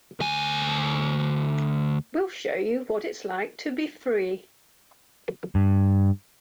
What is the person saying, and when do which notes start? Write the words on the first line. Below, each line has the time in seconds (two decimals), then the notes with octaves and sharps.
We'll show you what it's like to be free.
0.20 D2 G#5
5.55 G2